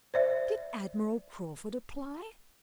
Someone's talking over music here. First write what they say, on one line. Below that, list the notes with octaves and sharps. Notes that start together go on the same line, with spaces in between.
Did Admiral Crawford apply?
C5 D5 E5